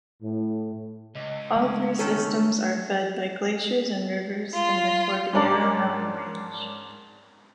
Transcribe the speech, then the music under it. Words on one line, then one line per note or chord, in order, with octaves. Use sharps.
All three systems are fed by glaciers and rivers in the Cordillera mountain range.
A2
C#2 D#5
D3 G#3 A3
D3 D#3 F#3 C#4 A4
F4
G#2 C#4 D4 A#4 D5